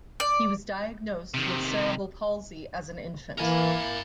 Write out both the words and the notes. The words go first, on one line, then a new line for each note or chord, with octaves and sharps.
He was diagnosed with cerebral palsy as an infant.
D5
C3 D#3
E3 A#3 E4 A#4 G#5